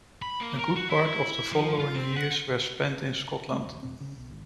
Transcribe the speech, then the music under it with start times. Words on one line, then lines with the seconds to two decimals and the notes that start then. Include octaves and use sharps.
A good part of the following years were spent in Scotland.
0.22 B5
0.41 A#3
0.59 A#4
0.76 F#4
0.89 E4
1.06 E4
1.52 F3
1.79 F4
1.95 C4
2.17 F#5
3.52 A3
3.65 D#1
3.83 E1 B1 B2 C4
4.01 C#3
4.16 B1
4.30 G#1